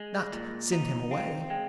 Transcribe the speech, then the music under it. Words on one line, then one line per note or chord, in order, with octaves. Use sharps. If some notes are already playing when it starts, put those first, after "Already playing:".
"Not--send him away?"
Already playing: G#3
A#2
D#4
C4 F5
G#3 G5